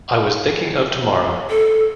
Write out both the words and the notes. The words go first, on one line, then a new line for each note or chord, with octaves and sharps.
I was thinking of tomorrow.
A4